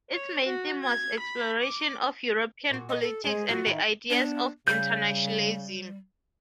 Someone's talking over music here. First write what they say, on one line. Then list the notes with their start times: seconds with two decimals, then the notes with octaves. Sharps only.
Its main theme was exploration of European politics and the ideas of internationalism.
0.12 C#5
0.45 F#4
0.84 G#6
1.20 B5
1.62 D6
2.70 A#2 F#4
2.89 D#5
3.02 A4
3.24 G#3 G#4 C5
3.49 F#3 F4 F#4
3.67 D#3 E4
4.10 B3 D4
4.68 C#3 G3 G6